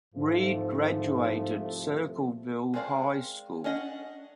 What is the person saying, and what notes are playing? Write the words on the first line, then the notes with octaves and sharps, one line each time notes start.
Reid graduated Circleville High School.
C2 G#2 F3 A3
G#3 C4 A#4 D5 F5
C#4 D4 D#5 F#5